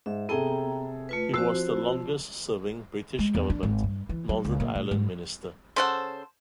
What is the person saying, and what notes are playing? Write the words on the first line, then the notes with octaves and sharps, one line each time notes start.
He was the longest serving British government Northern Ireland minister.
G#2 E5
C3 B3 G#4 A4 G5 A#5
A3 F4 B4
F3 C4 F#4 C5 E6 C7
G#3
E2
D4
G#1
G2
E3
F#3
C#2
A#2
A2
G#2
C#3 A4 C5 F#5